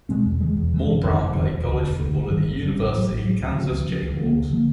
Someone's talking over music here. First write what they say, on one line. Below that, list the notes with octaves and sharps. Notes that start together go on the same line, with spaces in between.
Moore-Brown played college football for the University of Kansas Jayhawks.
B2 G#3 C4
E2
C3 E3 G#3
E2
C3 E3 G#3
F#1
F2 C3 D#3
F#1
F2 C3 D#3
E1
D2 D3
E1
D2 D3
G1
G2 D#3 G3
G1
G2 D#3 G3
A1
A2 F#3
A1
A2 F#3
D2
C#3 F3
D2
C#3 F3
D2
D3 F3 A#3
D2
D3 F3 A#3